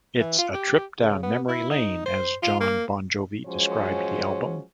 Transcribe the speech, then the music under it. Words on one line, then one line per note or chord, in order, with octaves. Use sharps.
It's a "trip down memory lane" as Jon Bon Jovi described the album.
E3
F4
G4
C#3
B3
E4
D#4
C5
F4
A#3
F3 F#3 G#3 C#4 C5